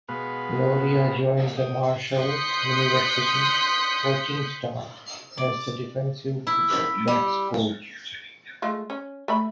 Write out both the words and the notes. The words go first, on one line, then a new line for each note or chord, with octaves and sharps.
Loria joined the Marshall University coaching staff as the defensive backs coach.
B2 G#3 B3 F#4 B4 F5
G5 D#6
C6 D#6 F#6 G6 B6 C#7
D5
E4
B5
G3
G#3 A3 F4
C#4
A3 E5 B5